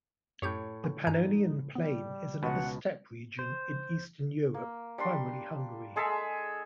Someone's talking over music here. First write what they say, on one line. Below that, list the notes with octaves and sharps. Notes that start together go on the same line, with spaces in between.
The Pannonian Plain is another steppe region in eastern Europe, primarily Hungary.
F#2 A2 G4 C#5 G6
D3 E3
G2 D#4 G#5 A#5
G3 B3
C#2 B2 F#5
C5
A#3
G3 D4 C6
G#3 G#4 A4 E5